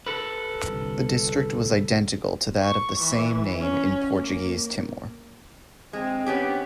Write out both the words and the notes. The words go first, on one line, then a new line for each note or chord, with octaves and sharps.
The district was identical to that of the same name in Portuguese Timor.
A4 B4
G1 C2
C#6
E3
C#4
A#3
G#3 C4
B3 C#4 G4